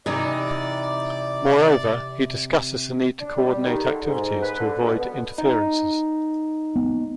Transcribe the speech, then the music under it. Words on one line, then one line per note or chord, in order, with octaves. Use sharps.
Moreover, he discusses the need to coordinate activities to avoid "interferences".
C3 E3 D#4 G4 D5
D4
G3
D#3
D3
G#2
B4
D3
B2
B3
D#4
B3